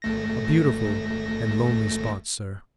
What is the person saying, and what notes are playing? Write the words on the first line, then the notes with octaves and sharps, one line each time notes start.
A beautiful and lonely spot, sir.
G#1 A3 A#6